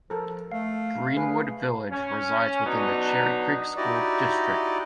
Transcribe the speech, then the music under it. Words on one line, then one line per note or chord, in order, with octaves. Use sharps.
Greenwood Village resides within the Cherry Creek School District.
F3 A4 A#4
A3 F5
A3 G#4 B4
C#4
F#3 B3 D4 D#4
D#4 E4 F#4 G4 D5 D#5